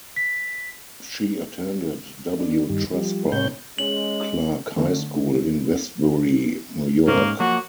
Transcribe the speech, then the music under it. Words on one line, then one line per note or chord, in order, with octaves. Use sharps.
She attended W. Tresper Clarke High School in Westbury, New York.
B6
D4
G2 D#3 G3
F3 G3
A2 C#5 G6
G#3 C#4 F#7
D3 A3
G#2 A#3 C#4
F3 F#3 A#3 F#4